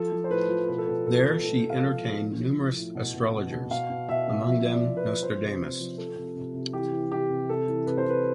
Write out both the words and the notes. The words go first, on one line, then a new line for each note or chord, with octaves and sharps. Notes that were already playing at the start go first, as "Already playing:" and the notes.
There she entertained numerous astrologers, among them Nostradamus.
Already playing: F3 A4
F3
C5
A2 B4
F3
B2 B4
A4
B2 B4
B2 A4
B2
A2 A4
A2
F5
F3
A2
F3
F3
A2
A2
B2
B2
B2
B2
B2 F5
B2
B2 E5
B2
F3 E5
F3
D5
F3
B4
F3
F3 C5
C3
C3
F3
F3 A4
C3
C3
C3
E3 G4
E3
C3 G4
C3
C3 A4
E3
C3 B4
C5
C3 B4